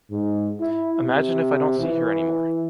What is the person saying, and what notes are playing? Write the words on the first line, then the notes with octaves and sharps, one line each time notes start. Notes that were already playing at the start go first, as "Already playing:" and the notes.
Imagine if I don’t see her anymore.
G#2
E4
C3
E3